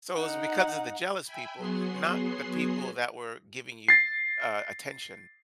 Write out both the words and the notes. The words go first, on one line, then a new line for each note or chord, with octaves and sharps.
So, it was because of the jealous people, not the people that were giving you, uh, attention?
D#4 F#5
E5 G5 G#5 B5
F#3 B3 F#4 G#4 C6 C7
A6 C7